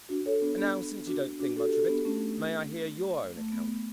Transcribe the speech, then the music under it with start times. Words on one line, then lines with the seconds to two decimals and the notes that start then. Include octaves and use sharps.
"And now, since you don't think much of it, may I hear your own account?"
0.09 D4 F#4
0.26 A4 C#5
0.42 B3 D4
0.58 B3 D4
1.07 D4 F#4
1.39 D4 F#4
1.56 F#4 A4
1.65 G4
1.72 F#4 A4
1.88 B3 D4
2.05 A3 C#4
3.36 A3
3.52 B3
3.68 B3